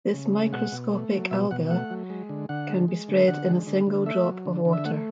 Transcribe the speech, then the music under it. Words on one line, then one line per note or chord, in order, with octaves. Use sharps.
This microscopic alga can be spread in a single drop of water.
C#3
G#3
B2 F#5
B2
A3
F#3
B2 E5
B2 F#5
A3 F#5
F#3
G#3
D3
D3 F#5
G#3
G#3
D3
D3 F#5
G#3
D3
D3
A3 E5
F#3
D3
D3
E5
A3 F#5